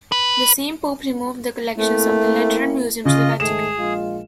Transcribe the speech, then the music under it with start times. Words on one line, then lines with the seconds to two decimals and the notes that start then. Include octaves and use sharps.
The same pope removed the collections of the Lateran Museum to the Vatican.
0.12 B4
1.77 A3 A#3 C4 E4
3.05 C#3 F4 D#5
3.40 G#2 D#3 A3 G#4 E7
3.77 A#1 G#3 F4